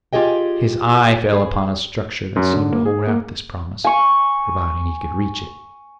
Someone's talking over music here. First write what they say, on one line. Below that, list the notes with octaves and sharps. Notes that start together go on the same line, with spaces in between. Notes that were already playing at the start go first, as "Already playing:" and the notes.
His eye fell upon a structure that seemed to hold out this promise, providing he could reach it.
F4 G4 G#4 D#5 G5
G#4
F#2
D3
A#3
G#4
A#3
G#5 C#6